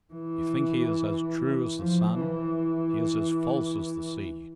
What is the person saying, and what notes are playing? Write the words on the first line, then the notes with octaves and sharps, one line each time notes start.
You think he is as true as the sun--he is as false as the sea.
E3
F3
E3